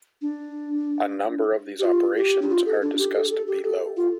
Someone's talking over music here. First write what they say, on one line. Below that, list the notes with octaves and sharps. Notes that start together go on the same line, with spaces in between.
A number of these operations are discussed below.
D4
G4
F4
G4
D4
F4
A4
D4
G4
A4
A4
G4
A4
F4